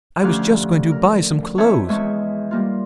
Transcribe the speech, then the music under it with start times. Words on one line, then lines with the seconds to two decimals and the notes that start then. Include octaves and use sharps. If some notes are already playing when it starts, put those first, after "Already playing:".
I was just going to buy some clothes.
0.22 D2 F3 C#4 G4 F5 F#6
0.91 A#4
1.58 C4 E4 B4 C#5 E5 A5
1.89 E2 G#3 E5 C#6
2.51 G3 A#3 F4